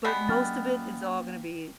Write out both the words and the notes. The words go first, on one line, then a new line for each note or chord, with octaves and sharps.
but most of it is all gonna be
G3 G#3 B3
F#3 A#3 C#4 G5 F6 A6